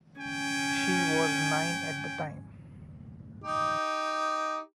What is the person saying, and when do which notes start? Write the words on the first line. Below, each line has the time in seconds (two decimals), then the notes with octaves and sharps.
She was nine at the time.
0.21 C#4 G5 G#5
3.44 D#4 G4